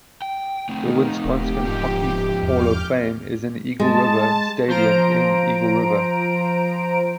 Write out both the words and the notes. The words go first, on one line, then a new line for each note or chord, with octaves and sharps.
The Wisconsin Hockey Hall of Fame is in Eagle River Stadium in Eagle River.
G5
D#3 A3 C4
D#1 G4
G#2 F3
E2 D6 F6 G6
G#3 A5
F3 C5 A#5 D7